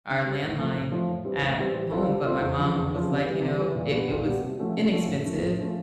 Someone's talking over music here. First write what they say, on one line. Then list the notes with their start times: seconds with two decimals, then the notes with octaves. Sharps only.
our landline at home, but my mom was, like, you know, it it was inexpensive,
0.09 D3
0.25 G3 C4
0.42 A2
0.58 F3 A3 C4
0.75 A2
0.92 F3 A3 C4
1.09 A2
1.25 E3 G3 C4
1.42 A2
1.58 E3 G3 C4
1.75 G3
1.91 C4 F4 A4
2.08 G3
2.25 C4 F4 A4
2.41 E2
2.58 C#3 F3
2.75 E2
2.91 C#3 F3
3.08 C3
3.25 E3 G3
3.41 C3
3.58 E3 G3
3.75 A#2
3.92 G3 B3 D4 F#4
4.08 A#2
4.25 G3 B3 D4 F#4
4.41 C3
4.58 F3 A3 C#4 F#4
4.75 C3
4.92 F3 A3 C#4 F#4
5.08 A2
5.24 F3 A3 C#4
5.41 A2
5.59 F3 A3 C#4